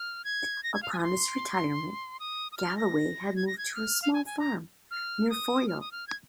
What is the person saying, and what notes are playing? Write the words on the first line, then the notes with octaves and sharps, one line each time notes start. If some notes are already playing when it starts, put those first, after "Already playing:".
Upon his retirement, Galloway had moved to a small farm near Foyil.
Already playing: F6
G#6
A#6
G#6
F5
G#5
D#6
C6
D#6
D#6
F6
A#6
G#6
A#6
G#6
F6
F5
G#5
G#5
A#5
F6
D#6
F6
D#6
F6
G#6